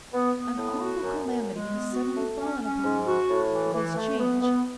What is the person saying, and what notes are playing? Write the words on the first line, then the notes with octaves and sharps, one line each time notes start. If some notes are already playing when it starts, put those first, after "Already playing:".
An awful calamity has suddenly fallen upon him--this change.
B3
B3
A2
F#4
F#2
F#2
G#3
B3
F#4
A3
C#4
C#4
G#2
F#4
A2
E3
E3
A3
B3
B3